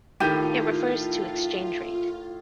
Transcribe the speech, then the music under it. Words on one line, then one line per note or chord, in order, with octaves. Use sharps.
It refers to exchange rate.
A2 D#3 F4 G4 G6 D#7